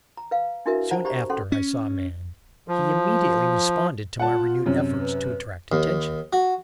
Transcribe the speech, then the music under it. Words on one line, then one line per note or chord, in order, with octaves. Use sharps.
Soon after I saw a man; he immediately responded to my renewed efforts to attract attention.
A#5
B4 F5
D4 E4 F#4 A#4 B4 E5
C5 D5 F#5 A5 A#5
G4 C5 D5 A#5 B5 C#6
C#4 A4 F#5 C6
C#4
F3
F4 F#5 A5
F#2 C3
B4
D#2
F#4